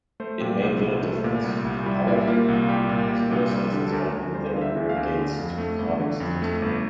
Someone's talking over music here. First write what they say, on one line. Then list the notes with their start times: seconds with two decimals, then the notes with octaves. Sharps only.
It made little difference, however, as loyal citizens opened the rear gates to Constantine.
0.20 A3 C5
0.40 A#2 G4
0.61 C2
0.81 C2 E4
1.03 A3
1.24 A#2
1.44 C2
1.65 C2
1.86 G3 E4
2.07 A#2 E4
2.27 A#3 F4
2.48 C2
2.64 F4
2.68 G3 G4
2.89 A#2
3.10 A#3
3.31 C2
3.51 G3
3.72 D3
3.86 A4
3.92 D2 A#4
4.13 D2
4.34 G3 C5
4.54 D3 F5
4.61 E5
4.76 D2
4.89 F5
4.96 D2
5.17 D3
5.38 F2
5.58 A3
5.79 G1
6.00 D3
6.20 F2
6.42 A3
6.62 G1